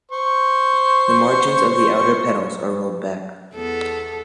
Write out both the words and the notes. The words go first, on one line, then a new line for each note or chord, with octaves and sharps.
The margins of the outer petals are rolled back.
C5 C#6
E2 B3 A4